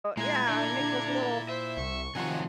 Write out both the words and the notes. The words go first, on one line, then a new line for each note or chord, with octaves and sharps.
Yeah, and make those little
A#2 G#3 E4 A#5 G#6
D4 A4 D5
C5 E5
C2 C#6
C3 D#3 F3 F#3 F4 F#5 G#5